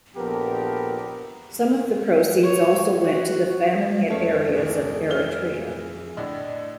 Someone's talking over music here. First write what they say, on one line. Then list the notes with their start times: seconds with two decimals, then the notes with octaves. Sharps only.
Some of the proceeds also went to the famine hit areas of Eritrea.
0.17 A#1 F3 B3 G4 A4 A#4
2.43 C#5
3.04 F#4
4.10 F2 A3 C#4 G#4 D5
4.57 D1
5.10 E3 F6 G7
6.17 A2 D3 D5 D#5